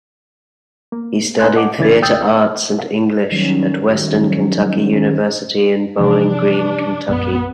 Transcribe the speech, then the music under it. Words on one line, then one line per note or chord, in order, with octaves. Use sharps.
He studied Theatre Arts and English at Western Kentucky University in Bowling Green, Kentucky.
A#3
D#4 B4 G#5 C6 F#6
A4 D#5 F#5 D6
C2 C#3 E3 D4 G#6 A6
D2 G5 D#6 E6 G6 A6
D#3 F#3 G3 C#4
C3 E3 F3 D4
A#1 F#2 B3